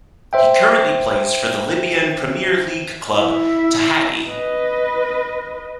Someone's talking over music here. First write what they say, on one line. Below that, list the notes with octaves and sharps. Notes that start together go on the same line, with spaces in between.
He currently plays for the Libyan Premier League club Tahaddy.
C5 E5 G5
E4 E5
B4 D#5